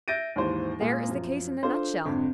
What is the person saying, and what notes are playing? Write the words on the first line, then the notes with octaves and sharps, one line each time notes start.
There is the case in a nutshell.
E5 G6 A6 A#6 D7 D#7
D#2 G#2 E3 C5
A#2 G#3 A#3 F4 G#4
F#2 F3
D4 F4 A4 C5
G#1 F2 D3